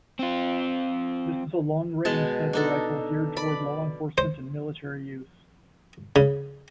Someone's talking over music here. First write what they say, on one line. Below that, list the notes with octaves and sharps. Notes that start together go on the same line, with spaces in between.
This is a long-range sniper rifle geared toward law enforcement and military use.
C4 F4
B2 G#3 A5
D4 D#4 A4
D5 B5
C5
C#3